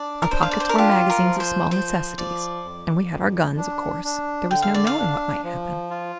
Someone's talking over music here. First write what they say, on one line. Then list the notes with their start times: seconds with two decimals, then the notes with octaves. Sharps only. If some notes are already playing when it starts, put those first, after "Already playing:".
Our pockets were magazines of small necessities, and we had our guns, of course--there was no knowing what might happen.
Already playing: D4 D5
0.22 A#4
0.31 D4 C5
0.43 F5
0.51 D5
0.60 C5
0.69 A#4
0.78 F4 G4
1.10 A#4
1.25 F3
1.40 C5
1.71 F3 C5
2.18 F3 D5
2.64 F2
3.11 F2
3.57 D4
4.04 D4
4.51 D3 G5
4.62 F5
4.74 D5
4.87 F5
4.98 D4
5.44 F3
5.90 F4